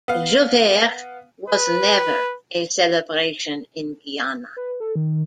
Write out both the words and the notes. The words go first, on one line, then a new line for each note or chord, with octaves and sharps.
Jouvert was never a celebration in Guyana.
B3 F5
B4
B4
A4
D#3